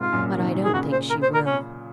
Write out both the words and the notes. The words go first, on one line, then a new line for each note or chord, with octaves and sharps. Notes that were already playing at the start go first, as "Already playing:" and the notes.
"But I don't think she will."
G#2 C3 F4
F#2 A#2
F#2
C3 D#3
G#4
A#2 C#3 F#4
C5
A#4
C5
A#4
C#4